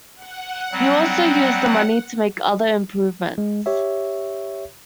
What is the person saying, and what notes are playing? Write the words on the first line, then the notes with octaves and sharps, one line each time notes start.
He also used the money to make other improvements.
F#5
F#3 G3 C4
G#3
G4 C#5 E5